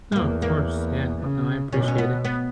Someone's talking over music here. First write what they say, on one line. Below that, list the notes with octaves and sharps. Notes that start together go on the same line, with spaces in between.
No, of course, yeah. No, I appreciate it.
G#3
E2 A#3
A#3
C#3
B2 C#4
C#4
B3
B3